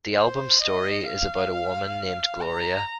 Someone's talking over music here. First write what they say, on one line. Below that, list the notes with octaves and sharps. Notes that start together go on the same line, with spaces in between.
The album's story is about a woman named Gloria.
C5
D#5
F5
A#5